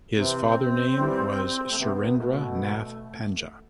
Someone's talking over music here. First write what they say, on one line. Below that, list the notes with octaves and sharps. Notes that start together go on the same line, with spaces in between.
His father name was Surendra Nath Panja.
C3 E3 C4
E3 G3
A3
C3 B3
B2 A3